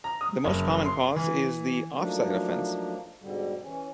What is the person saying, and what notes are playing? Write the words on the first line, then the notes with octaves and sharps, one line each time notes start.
The most common cause is the offside offence.
A#5
D#6
F#1
C6
E3
F3 F#3 A3 A#3 D4 D#4
G#2 B2 D3 G3
E3 C#4